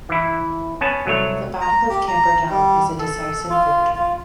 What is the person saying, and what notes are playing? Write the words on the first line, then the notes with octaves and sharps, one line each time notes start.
The Battle of Camperdown is a decisive victory.
E3 E4
B3 C#4 C#5 G#5 A5
C2 F#3 A3 C#5
A#5
G4
A#5
G3
A4
F4
F4